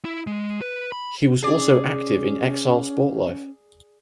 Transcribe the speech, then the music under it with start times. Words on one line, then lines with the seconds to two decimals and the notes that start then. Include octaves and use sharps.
He was also active in exile sport life.
0.05 E4
0.27 G#3
0.61 B4
0.92 B5
1.43 C#4 G#4 D5